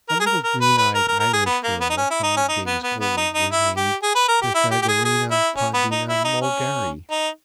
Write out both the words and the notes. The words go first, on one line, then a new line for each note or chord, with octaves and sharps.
A little green-eyed Irish girl, five days old, was named Pythagorina Podina Mulgarry.
A#4
G#4
A#4
A#4
B4
B4
A#4
A#4
A#4
G#4
B3
A#3
B3
D#4
C#4
E4
D#4
C#4
D#4
B3
B3
B3
D#4
D#4
E4
G4
G#4
B4
A#4
G4
E4
G4
G4
G#4
G#4
E4
C#4
B3
D#4
E4
D#4
C#4
D#4